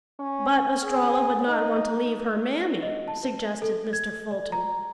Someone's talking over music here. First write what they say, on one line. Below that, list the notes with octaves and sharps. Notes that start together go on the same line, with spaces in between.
"But Estralla would not want to leave her mammy," suggested Mr. Fulton.
C#4
G#4
D#4
D#5
A5
B4
A4
G#6
D5
A#5